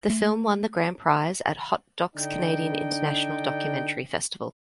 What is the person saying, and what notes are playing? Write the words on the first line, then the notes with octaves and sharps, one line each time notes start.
The film won the grand prize at Hot Docs Canadian International Documentary Festival.
A3
D3 D4 D#4 G5